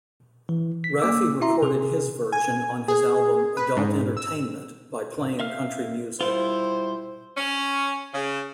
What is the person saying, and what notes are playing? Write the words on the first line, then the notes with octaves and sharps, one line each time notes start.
Raffi recorded his version on his album "Adult Entertainment" by playing country music.
E3
B6
A#3 D6 E6
E4 F#4 E5 A#5 C6
C3 G#4
G#5
G#4
B4
G#2
E6
E5 F5 F6
G3 E4 F4 C5
C#4
C#3